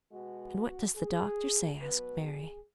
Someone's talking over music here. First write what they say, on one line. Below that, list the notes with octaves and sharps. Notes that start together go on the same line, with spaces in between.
"And what does the doctor say?" asked Mary.
B2 G#3 B3 F#4
G#4
B2 F#3 B3 B4
G#4